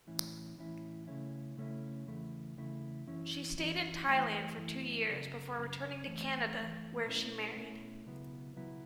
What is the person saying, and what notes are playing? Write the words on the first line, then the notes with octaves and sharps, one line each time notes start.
She stayed in Thailand for two years before returning to Canada, where she married.
A2 E3 C#4 E4
A2 E3 C#4 E4
C#3 A3 C#4 E4
C#3 A3 C#4 E4
E2 C#3 A3 E4
E2 C#3 A3 E4
F#2 E3 C#4 E4
F#2 E3 C#4 E4
F#2 E3 A3 E4
F#2 E3 A3 E4
F#2 C#3 F#3
F#2 C#3 F#3
F#2 E3 A3
F#2 E3 A3
B2 A3 C#4 E4
B2 A3 C#4 E4
C#2 B2 F#3 B3 E4
C#2 B2 F#3 B3 E4